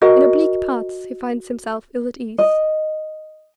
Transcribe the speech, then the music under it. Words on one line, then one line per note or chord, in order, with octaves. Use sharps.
In oblique paths he finds himself ill at ease.
F#4 A#4 D#5
D#5